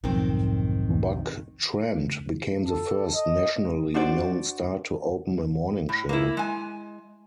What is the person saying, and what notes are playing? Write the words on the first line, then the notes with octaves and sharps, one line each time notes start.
Buck Trent became the first nationally known star to open a morning show.
B1 F2 G#2 D#3 C4
A4
D#5
D4 F#4 C5 D5
A2
A#3 E4
G#3 G#5